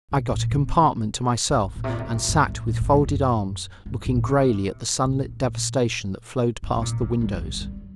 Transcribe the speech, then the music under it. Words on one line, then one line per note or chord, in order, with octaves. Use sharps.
I got a compartment to myself, and sat with folded arms, looking greyly at the sunlit devastation that flowed past the windows.
A#2
A#2
C3
D3
C3
A#2
C3
A#2
G2
A2
G2
A2
A#2
A2
G2
F#2
G2
A2
D3
C3
A#2
A2
A#2
G2
C3
A#2
F#3
G3
D#3
F#3
G3